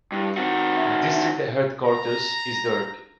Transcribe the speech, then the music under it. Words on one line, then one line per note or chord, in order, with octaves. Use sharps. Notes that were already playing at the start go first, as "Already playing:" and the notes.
District headquarters is Durg.
G2 E4
D#3 C4 F#4
E5
A#5